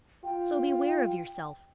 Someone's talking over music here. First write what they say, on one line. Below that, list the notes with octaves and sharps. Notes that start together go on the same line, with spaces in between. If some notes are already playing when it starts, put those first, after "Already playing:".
So beware of yourself.
F4 G5